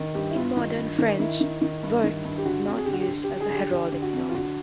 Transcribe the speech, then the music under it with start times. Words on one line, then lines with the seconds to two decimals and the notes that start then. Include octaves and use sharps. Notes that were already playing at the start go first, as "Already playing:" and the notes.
In Modern French, "vert" is not used as a heraldic term.
Already playing: D#3
0.14 G2 G4
0.30 E4
0.36 G2 F4
0.57 D#3
0.78 G2
0.99 D#3
1.20 D#3 E4
1.41 D#3
1.61 D#3
1.83 G2
2.04 D#3
2.25 G2
2.38 G4
2.45 D3 F#4
2.67 F2
2.77 G#4
2.85 D3 G4
2.93 F#4
3.01 G4
3.08 D3
3.24 G4
3.30 D3
3.40 G#4
3.50 D3 G4
3.71 D3 G4
3.92 D3
4.02 F#4
4.13 F2
4.29 F4
4.35 D3 F#4